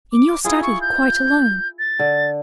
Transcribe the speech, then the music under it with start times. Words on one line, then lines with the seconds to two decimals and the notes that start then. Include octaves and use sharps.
'In your study, quite alone.
0.12 D6
0.45 E4 F4 G#4 D#6
0.63 C#6
0.81 G6
1.79 A6
1.99 D3